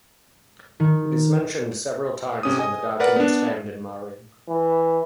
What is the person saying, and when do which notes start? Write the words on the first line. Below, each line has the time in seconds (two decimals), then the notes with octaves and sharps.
It is mentioned several times in the documents found in Mari.
0.80 D#3
2.43 C3 C#4 D#6
2.58 D#5 G#5 D#6
3.00 A#4 B4 D5 F#5
3.16 B3 D4
4.49 E3